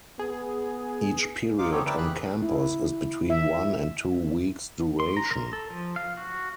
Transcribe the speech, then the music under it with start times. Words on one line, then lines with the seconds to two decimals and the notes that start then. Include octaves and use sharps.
Each period on campus is between one and two weeks' duration.
0.19 B3 G#4
1.58 D#4 F4 F5 D6
1.71 B3 C4 D#4 G4 A4 C#5
1.86 A#4 B4 D5 E5 G5
1.98 G4 G#4 B5 F#6
2.42 E4
3.30 E5
5.00 C6
5.17 A#5
5.31 A#4
5.53 A4
5.70 F3
5.96 F5
6.17 F#4